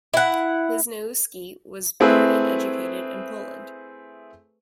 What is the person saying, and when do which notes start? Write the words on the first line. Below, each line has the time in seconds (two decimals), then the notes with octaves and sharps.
Wisniewski was born and educated in Poland.
0.14 E4 F#5
2.00 A3 C4 E4 G#4 B4